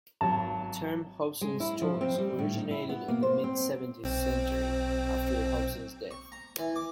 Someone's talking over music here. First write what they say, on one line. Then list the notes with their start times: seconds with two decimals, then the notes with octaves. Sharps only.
The term "Hobson's choice" originated in the mid-seventeenth century, after Hobson's death.
0.21 G#1 F#3 A5
1.41 G#3
1.60 E4
1.82 F3
2.01 C4
2.18 G3
2.39 A2
2.58 D#4
2.71 E4
2.89 B3
3.08 A#3
3.23 C5
3.44 C4
4.04 B1 C4
6.11 C#6
6.32 A#5
6.59 E3
6.76 D6